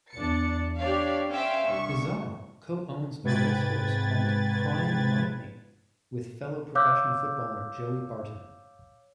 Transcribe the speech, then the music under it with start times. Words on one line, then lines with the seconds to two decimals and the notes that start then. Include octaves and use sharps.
Pizarro co-owns a race horse called 'Crying Lightning' with fellow professional footballer Joey Barton.
0.11 E2 D4 A6 C#7
0.79 D4 G4 C#5 D5 F5
1.32 C#4 C5 E5 F5 G5
1.68 C2 G2 C#6
3.23 G#2 C3 B4 G5 G#6 A6
6.75 C#5 F5 D6 E6 F#6 G6